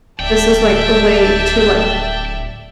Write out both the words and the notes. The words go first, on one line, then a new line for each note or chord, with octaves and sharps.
this is, like, a way to, like,
D1 D5 E5 G5 A5